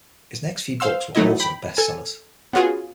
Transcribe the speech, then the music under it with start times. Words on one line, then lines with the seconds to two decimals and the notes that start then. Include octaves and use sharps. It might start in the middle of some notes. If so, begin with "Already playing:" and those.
His next few books were also bestsellers.
0.80 C5 F5 C6 E6
1.15 E3 F#3 A3 D#4 E4 D#5
1.40 G5 B5
1.77 A4 G#5
2.53 B3 C#4 F4 F#4 G#4